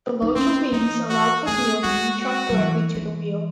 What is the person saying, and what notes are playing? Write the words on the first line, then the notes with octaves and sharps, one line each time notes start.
The larger wings allowed the gear to retract directly to the rear.
D#4
C4 C#4
E3 D#4
F#4
A3 G#4
G#3 F#4
F#4
F#3
E3
E3